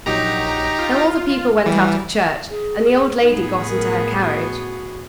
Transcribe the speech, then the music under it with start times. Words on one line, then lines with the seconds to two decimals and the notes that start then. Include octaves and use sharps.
Now all the people went out of church, and the old lady got into her carriage.
0.06 A#1 F#3 D#4 G4 A#5
0.79 F4
1.66 E3 G3
2.50 G#4
3.21 A2 B3 D#4 G#4
3.69 A#4
4.20 F#4